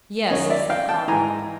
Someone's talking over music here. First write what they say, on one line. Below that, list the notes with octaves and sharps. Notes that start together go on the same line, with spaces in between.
"Yes," said Carling.
F#2 D#3 C#5 D#5
D5 E5
F5 G5
G5 A5
G#2 E3 G#5 A#5